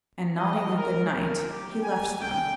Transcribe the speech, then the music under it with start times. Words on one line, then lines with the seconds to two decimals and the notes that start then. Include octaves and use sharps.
And nodding a good-night he left them.
0.37 D#5
0.76 A#4
1.17 A#4
1.49 G4
1.82 G#5
2.20 G5